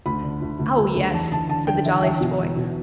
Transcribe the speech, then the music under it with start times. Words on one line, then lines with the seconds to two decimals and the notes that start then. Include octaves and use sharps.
"Oh, yes," said the jolliest boy.
0.06 D2 B5
0.23 D3
0.42 D2
0.59 D2
0.78 D2
0.95 D2
1.13 E2 A5
1.31 D3 A5
1.49 D3 A5
1.67 D3 G5
1.85 E2 E5
2.02 E2 E5
2.21 B2
2.39 E2
2.57 B2